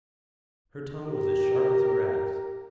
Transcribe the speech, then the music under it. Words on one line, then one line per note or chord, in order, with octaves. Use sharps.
Her tongue was as sharp as her axe.
G4 A#4